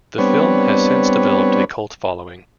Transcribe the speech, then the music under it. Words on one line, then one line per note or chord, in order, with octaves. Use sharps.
The film has since developed a cult following.
G3 B3 C4 D4 B4 C#5